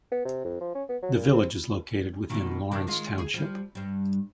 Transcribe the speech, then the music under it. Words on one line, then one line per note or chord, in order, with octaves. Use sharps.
The village is located within Lawrence Township.
B3
C3
F2
F3
C#4
B3
F#3
A#2
C4
E2 B2 D#3
C3 D#3 D4
D#3 G#3 F4
G#4
F3 G3
G2 G3